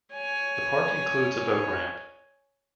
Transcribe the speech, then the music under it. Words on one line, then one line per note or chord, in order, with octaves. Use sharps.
The park includes a boat ramp.
C#5 G#5